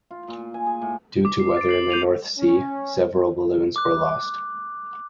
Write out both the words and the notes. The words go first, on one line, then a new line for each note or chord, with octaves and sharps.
Due to weather in the North Sea, several balloons were lost.
F4
A#2
G#5
G#4
A2
D6
C7
A6 D7
C7 F#7
G6 D7 D#7 F7
C#4
D6 F#6